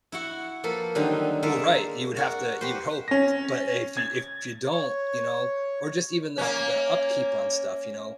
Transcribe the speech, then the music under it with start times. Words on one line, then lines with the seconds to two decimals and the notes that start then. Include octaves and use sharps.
Well, right, you would have to you would hope t but if you if you don't, you know, or just even the the upkeep on stuff, you know,
0.12 E4 F#4 F#5
0.63 F3 A#3 A4 B4
0.95 D3 D#3 F#3 G3 C4 D#4
1.42 G#3 A#3 A4 A#4 D5 E5
2.17 F#4 A#4 D5
2.61 F#4 G4 B4 C5
3.08 C#4 A#6
3.97 G#6 A6
4.72 C#5
6.38 A#3 C#4